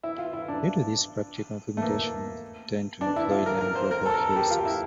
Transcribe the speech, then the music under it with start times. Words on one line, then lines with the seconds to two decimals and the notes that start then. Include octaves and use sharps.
Due to this, practical implementations tend to employ non-global heuristics.
0.03 E4
0.18 F4
0.33 E4
0.48 D4
1.77 A3
1.82 A#3
3.01 D4
3.16 E4
3.31 F4
3.46 A#4
3.61 A#4
3.75 C5
3.91 A#4
4.06 A4
4.14 A#4
4.21 A4
4.36 G4
4.50 F4
4.65 E4